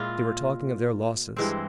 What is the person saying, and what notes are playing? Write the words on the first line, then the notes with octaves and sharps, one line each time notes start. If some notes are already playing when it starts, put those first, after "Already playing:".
They were talking of their losses.
Already playing: A#2 G#3 E4 F4
G2 E3 G#3 C4